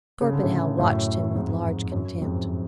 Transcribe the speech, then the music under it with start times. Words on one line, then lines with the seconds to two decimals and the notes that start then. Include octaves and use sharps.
Torpenhow watched him with large contempt.
0.21 C#3
0.33 D3
0.43 A2 C#3
0.79 F#2 A2
1.35 F2 G#2
1.92 F#2
2.21 F2 G#2